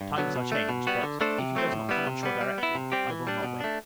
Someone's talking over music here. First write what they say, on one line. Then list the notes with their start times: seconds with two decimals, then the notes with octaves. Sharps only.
Times are changed; but, if he does not come on shore directly, I will not wait.
0.01 G2
0.18 D3 F#3 B3
0.36 B2
0.52 A3 D4
0.69 B2
0.87 G3 B3 F#4
1.03 D3
1.21 A3 D4 A4 C5
1.38 C3
1.55 F#3 A3 C4
1.72 A2
1.89 G3 B3 E4
2.07 C3
2.23 G3 B3
2.41 G3
2.58 B3 E4
2.75 C3
2.92 G3 C4 G4
3.10 E3
3.27 G3 D4
3.43 B2
3.60 A3 D4